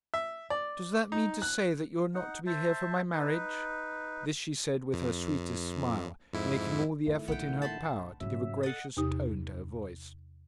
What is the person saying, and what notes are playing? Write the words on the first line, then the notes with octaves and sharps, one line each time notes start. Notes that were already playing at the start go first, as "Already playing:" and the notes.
'Does that mean to say that you are not to be here for my marriage?' This she said with her sweetest smile, making all the effort in her power to give a gracious tone to her voice.
E5
D5
D#4
F#6
D#4 F#5
C5 E5 A5
D#4 B4
F2
F2 G#2 E4
F2 D#3 A3 E4
A#1 B3 D4 G5
A5 B5 C6
G#2 C#3 F#3 G3 E5
A4 D#5 F#5 A6
E2 C3 D#4 G4 D#6